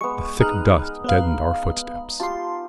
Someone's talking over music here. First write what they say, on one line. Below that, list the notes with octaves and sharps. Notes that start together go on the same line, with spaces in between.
The thick dust deadened our footsteps.
G#3 B3 C#6
D#4 G#4 F6 F#6
B3 B4 F5
F4 G4 A5 C6